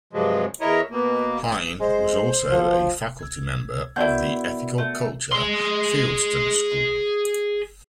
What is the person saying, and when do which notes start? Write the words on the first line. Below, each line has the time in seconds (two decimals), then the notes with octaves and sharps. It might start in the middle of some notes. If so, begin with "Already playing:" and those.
Hine was also a faculty member of the Ethical Culture Fieldston School.
0.13 G2 C3 F3 F#3 G#3
0.61 E2 E4 A#4 C#5 D#5
0.91 B2 A#3
1.80 G#3 C5
2.50 F3 F#3
3.19 E6 G#6
3.96 B3 D4 E4 F#4 A#4 D5 F#5 G6
4.78 A3
5.32 G#4 C6